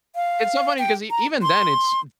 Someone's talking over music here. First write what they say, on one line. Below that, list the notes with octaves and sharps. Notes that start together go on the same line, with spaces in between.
It's so funny because e even then, it's,
F5
G5
A#5
C6